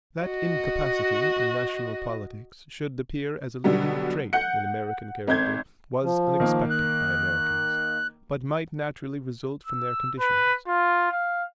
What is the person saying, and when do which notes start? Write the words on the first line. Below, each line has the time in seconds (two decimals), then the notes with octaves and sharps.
That incapacity in national politics should appear as a leading trait in American character was unexpected by Americans, but might naturally result from their conditions.
0.23 F#4 D#5
3.64 B2 D3 F#3 G3 B3
4.33 F#5 F#6 G6 C#7
5.27 G#1 C4 G6 G#6
6.03 F3
6.40 D#3 A#3
6.70 F#6
9.66 E6
10.20 B4
10.67 F4
11.11 F5